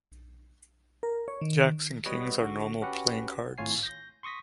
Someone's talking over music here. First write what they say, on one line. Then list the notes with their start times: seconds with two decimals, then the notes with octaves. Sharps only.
Jacks and Kings are normal playing cards.
1.03 A#4
1.28 C#5
1.41 D#3
2.06 G3 B3 F#4 B4 C#5 D#5
2.40 D3 F#4
2.82 C#4 F#4 G4 B4 F#5
3.58 G#1 A2 F4 C#5 G#5 C7
3.83 G6 A#6
4.23 C6 C#6 D#6 A#6 B6